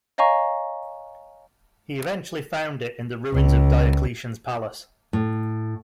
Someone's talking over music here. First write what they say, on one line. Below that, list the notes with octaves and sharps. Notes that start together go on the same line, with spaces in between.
He eventually found it in the ruins of Diocletian's Palace.
C#5 D#5 F5 G#5 A#5 C#6
C#2
A2